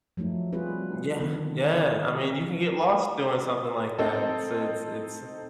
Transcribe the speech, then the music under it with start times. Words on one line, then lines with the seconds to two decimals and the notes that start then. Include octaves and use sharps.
Mm, yeah, yeah, I mean, you can get lost doing something like that. It's it's it's, uh,
0.17 F3 F#3 A3 D#4
0.53 G3 C4 F4 F#4 G#4 B4
1.20 D3 D#3 B3 C4 D4
3.98 C4 D#4 A4